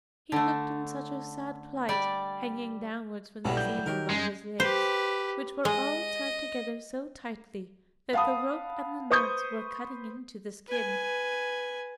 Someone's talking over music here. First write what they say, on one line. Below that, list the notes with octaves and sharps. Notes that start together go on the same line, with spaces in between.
He looked in such a sad plight hanging downwards from the ceiling by his legs, which were all tied together so tightly that the rope and the knots were cutting into the skin.
D3 A3
G3 D5
B1 A2 F#3 G3 A4 B4 D5
G6
D#3 F#3 D#4 G4 A#4
F#2 G#3
G4 B4 C5
G#3 D#5
F5 F#5 A5 B5 D#6
B4 C5 C#6 D#6 G6
B4 G#5